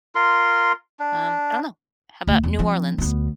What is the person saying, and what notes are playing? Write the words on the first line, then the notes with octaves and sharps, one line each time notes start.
Um, I don't know. How 'bout New Orleans
F4 A#4 C6
D4
D2
E2
F3 C4
D2 B3